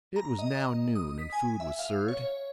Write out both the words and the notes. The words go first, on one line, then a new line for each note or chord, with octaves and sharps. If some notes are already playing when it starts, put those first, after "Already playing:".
It was now noon, and food was served.
A#5
D#5
D#6
B6
G#5
E5
F5
C#5